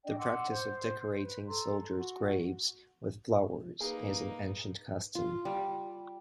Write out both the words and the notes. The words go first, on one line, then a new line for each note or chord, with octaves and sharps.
The practice of decorating soldiers' graves with flowers is an ancient custom.
D4 D5 D#5 G5
F#5 C6 D6 E6
C5
B4
A4 A#5 C6
F#4
A#3 D#4 G#4 B4
F4
G3